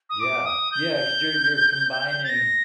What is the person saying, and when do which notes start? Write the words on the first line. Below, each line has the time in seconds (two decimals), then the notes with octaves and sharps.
Yeah, yeah, 'cause you're you're combining,
0.10 D#6
0.20 D6
0.46 D#6
0.72 G6
2.24 A6
2.29 A#6